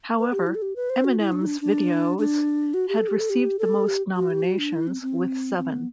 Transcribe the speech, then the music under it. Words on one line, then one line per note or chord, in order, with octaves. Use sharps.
However, Eminem's videos have received the most nominations with seven.
B4
G4
E4
A4
G4
B4
C5
F#4
E4
D4
E4
D4
D4
D4
F#4
G4
A4
G4
A4
G4
A4
G4
F#4
G4
F#4
D4
E4
C4
C4
C4
B3